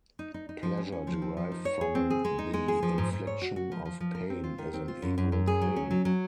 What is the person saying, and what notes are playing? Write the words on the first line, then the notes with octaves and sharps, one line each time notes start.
Pleasure derived from the infliction of pain is an evil thing.
D#4
D#4
D#4
F3
C#4
C#4
F3
C4
F3
D#4
C#5
G#4
C4
G#4
G#3
D#4
G#3
G#4
F3
G#2
G#2
C#5
F#4
F#4
F3
F3
F3
A#4
C4
F4
D#3
C4
F4
F#2
F#2
F#2
G#4
F#3
C#4
F#3
F#3